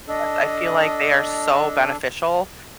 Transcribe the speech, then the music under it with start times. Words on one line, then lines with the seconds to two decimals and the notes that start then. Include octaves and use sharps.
'cause I feel like they are so beneficial,
0.08 D4 A4 D#5